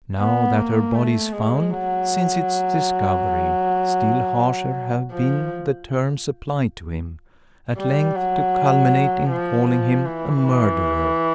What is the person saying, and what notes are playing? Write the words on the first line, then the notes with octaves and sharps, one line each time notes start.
Now that her body is found, since its discovery, still harsher have been the terms applied to him; at length, to culminate, in calling him a murderer!
B3
A#3
A3
G#3
F#3
F3
G3
F#3
F3
F3
E3
E3